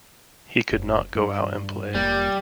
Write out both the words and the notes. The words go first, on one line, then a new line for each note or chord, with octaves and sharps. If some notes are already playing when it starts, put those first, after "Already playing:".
He could not go out and play.
F#1
G2
F1 F2 G3 A#3